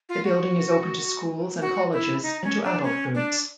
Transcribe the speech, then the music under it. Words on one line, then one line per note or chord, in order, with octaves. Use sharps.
The building is open to schools and colleges and to adult groups.
F4
F#4
F#4
E4
D#4
C#4
D4
C#4
D4